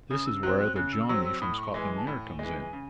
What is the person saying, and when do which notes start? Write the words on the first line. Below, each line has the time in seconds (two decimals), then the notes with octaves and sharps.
This is where the Johnny from Scotland Yard comes in.
0.11 C#3 D#6
0.26 E6
0.43 F#3 C4 F#6
0.59 F#6
0.76 C#3 F#6
0.92 E6
1.08 F#3 C4 E6
1.25 E6
1.41 A2 D#6
1.58 C#6
1.74 E3 G#3 C6
1.96 A5
2.06 A2 G#5
2.39 E3 G#3
2.73 C#3